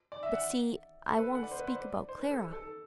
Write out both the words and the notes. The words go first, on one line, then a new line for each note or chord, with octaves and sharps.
But see, I want to speak about Clara.
D5
E5
F#5
A4
B4
F#5
D5
C5
B4
C5
D5
C5
B4
A4
A4
A4
A4